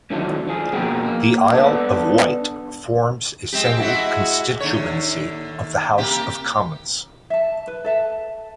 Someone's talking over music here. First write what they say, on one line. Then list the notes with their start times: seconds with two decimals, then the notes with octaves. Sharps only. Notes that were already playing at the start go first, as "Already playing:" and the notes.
The Isle of Wight forms a single constituency of the House of Commons.
0.10 A2 D3 D#3 F3 F#3 A3
0.49 F3 G#4
0.73 B2 F3 A#3 G#4 A#4 G5
1.04 A#3
1.51 B3 D4 A4
3.52 G#3 C4 G4
3.80 G#3 E4 F#4
4.60 D#2 D3 C#5
5.98 C3 A#3 G4
7.30 E5 A5
7.67 B4
7.84 A4 E5 A5